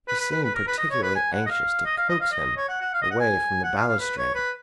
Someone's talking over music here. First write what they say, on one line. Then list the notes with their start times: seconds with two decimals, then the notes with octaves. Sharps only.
He seemed particularly anxious to coax him away from the balustrade.
0.08 B4
0.20 B4
0.31 B4
0.43 B4
0.55 A#4
0.67 B4
0.78 D#5
0.91 C#5
1.03 B4
1.15 G#5
1.33 F#5
1.46 D#5
1.50 F5
1.86 D#5
1.97 F5
2.09 D#5
2.21 F5
2.32 D#5
2.57 C#5
2.69 F#5
2.81 F#5
2.93 F5
3.02 D#5
3.11 F#5
3.20 G#5
3.64 F#5
3.77 F5
3.88 F5
4.00 B4
4.18 C#5
4.35 B4